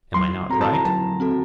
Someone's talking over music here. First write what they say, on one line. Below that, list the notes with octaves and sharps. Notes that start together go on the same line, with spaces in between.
Am I not right?
F#3 C6
C4 F#4 A4 A#5
A5
A#5
F#3 A5
C4 F#4 A4